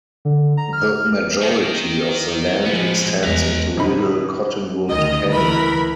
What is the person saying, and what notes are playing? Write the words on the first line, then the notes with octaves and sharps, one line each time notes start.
The majority of the land extends into Little Cottonwood Canyon.
D3
A#5
F6
D#3
A2 F3 G#3 B3
E2 G#3 B4 A#5
A#1 F#2 D3 D#4 B5
D2 D#3 D#5
E3 A#4 B5